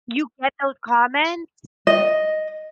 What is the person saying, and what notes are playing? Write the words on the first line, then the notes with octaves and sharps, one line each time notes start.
You get those comments?
D#5